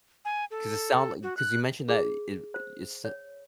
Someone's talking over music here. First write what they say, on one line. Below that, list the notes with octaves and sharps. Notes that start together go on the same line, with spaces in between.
'Cause it sound li 'cause you mentioned that i it sou
G#5
A4
F#4
F#6
G#4
C5
C#5